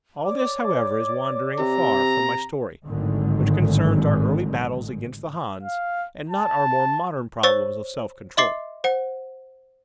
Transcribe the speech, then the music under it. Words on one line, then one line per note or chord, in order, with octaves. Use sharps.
All this, however, is wandering afar from my story, which concerns our early battles against the Hans, and not our more modern problems of self-control.
C#5 D5 D6
C3 A#5
G#1 A2 D3 D#3 F#3 G#3
F5
A5
C5 C#5 C#6 E6 A6
D#5 E5 C6 D6 A6 C7
C5 F#5